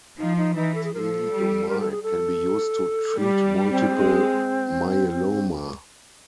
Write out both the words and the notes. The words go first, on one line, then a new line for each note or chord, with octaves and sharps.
Thalidomide can be used to treat multiple myeloma.
F3 D#4
D#4
E3 D#4
A4
G#4
F3 A#4
A4
G3
A#4
A4
G#4
A4
G3 G4
C4
G#3